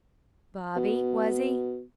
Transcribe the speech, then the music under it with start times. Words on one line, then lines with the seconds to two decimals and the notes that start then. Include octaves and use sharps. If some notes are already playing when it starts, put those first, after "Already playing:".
"Bobby, was he?"
0.76 B2